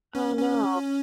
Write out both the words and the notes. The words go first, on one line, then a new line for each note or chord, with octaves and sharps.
Oh, no.
C#4
C#4